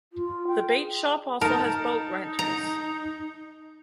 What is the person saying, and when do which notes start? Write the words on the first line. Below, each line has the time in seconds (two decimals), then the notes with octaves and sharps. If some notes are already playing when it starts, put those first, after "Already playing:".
The bait shop also has boat rentals.
0.13 F4
0.47 G5
0.75 G#4
1.41 D#4 A#4 A5
2.39 A#5